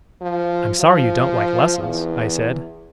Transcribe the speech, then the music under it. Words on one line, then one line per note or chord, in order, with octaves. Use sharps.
"I'm sorry you don't like lessons," I said.
F3
F3
E2